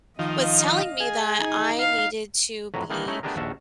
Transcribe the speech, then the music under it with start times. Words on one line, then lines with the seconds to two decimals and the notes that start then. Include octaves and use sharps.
was telling me that I needed to be
0.19 D#3 F3 D#5 F5
1.00 G#4
1.40 D#4
1.80 F5
2.74 F2 A2 F#3 B4 A#5
2.90 D#3 E3 A#3 D4 D#4
3.08 A3 C#4 D#4 E4
3.23 A3 B3 D4 G4 G#4 A#4
3.37 A#1 D#2 F#4 E5 F5 A5